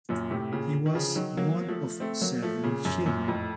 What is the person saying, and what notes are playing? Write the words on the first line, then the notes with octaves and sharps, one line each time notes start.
He was one of seven children.
F#2 A#2
A2 C3
A#2 C#3
D#3
C#3 F3
D#3 F#3
F#3 A#3
F3 A3
A3 C4
F#3 A#3
F3 A3
A#2 C#3
F#2
F#2 A#2
F2 A2